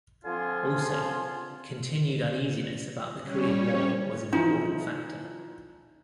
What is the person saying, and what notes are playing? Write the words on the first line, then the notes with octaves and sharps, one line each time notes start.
Also, continued uneasiness about the Korean War was an important factor.
D3 F3 C4 F4 G#5 C6
G3 C#4 C#5
E3 F3 D#4